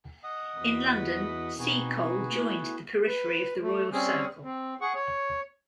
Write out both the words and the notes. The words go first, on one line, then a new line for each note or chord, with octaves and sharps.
In London, Seacole joined the periphery of the royal circle.
D#5 F#5 D#6
E2 F#4 B4
B2 C4 D#4 F#4 G#4 B4
A3 B3 E4
B4
A3
G3 C4 C#4 G#4
C4
G#4 F#5 C#6
C#5